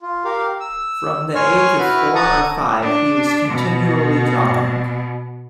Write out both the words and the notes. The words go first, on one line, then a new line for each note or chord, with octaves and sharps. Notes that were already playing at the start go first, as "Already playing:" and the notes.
From the age of four or five he was continually drawing.
F4
G4 A#4 F5
E6
C#5 G#5 C6 C#6 F6
E4 F#4 B4 B5 F6
F#5 A5 A#5 C#6 D#6
D4
B2